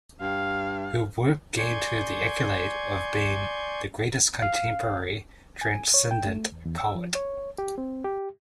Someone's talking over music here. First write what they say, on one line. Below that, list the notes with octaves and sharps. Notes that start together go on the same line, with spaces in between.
Her work gained her the accolade of being "the greatest contemporary transcendent poet".
G2 F5
D5 G#5 C6 C#6 G6 G#6
F5
G#5
C#5
G5
A3
E2
E2
E6
F3
C#5
G4
C4
G4